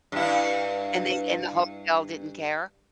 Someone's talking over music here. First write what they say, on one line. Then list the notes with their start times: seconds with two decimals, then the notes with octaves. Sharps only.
And they and the hotel didn't care?
0.12 G2 E4